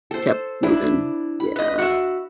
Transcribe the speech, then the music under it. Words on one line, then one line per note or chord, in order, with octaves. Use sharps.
kept moving. Yeah.
A4 C5
D4 E4 B4
B5
B4 D#5
F#4 E5